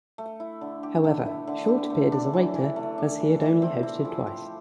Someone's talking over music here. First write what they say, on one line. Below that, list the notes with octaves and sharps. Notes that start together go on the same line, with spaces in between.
However, Short appeared as a waiter, as he had only hosted twice.
A3
E4
D3
G4
A3
E4
D3
G4
A3
D4
E3
E3
A3
D4
E3
E3
C4
E4
F3
G4